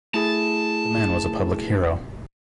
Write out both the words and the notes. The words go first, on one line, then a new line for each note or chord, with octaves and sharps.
The man was a public hero.
A3 E4 G#4 A5